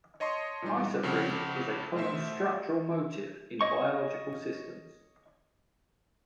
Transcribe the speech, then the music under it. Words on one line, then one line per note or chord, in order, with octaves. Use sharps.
Isoprene is a common structural motif in biological systems.
C#5 D#5 A5 C6 C#6 D#6
A#2 E3 G3 D#4
F2 C#3 C4 G4 F#5
B2 A3 C5 E5 C6
C#5 D#5 C#6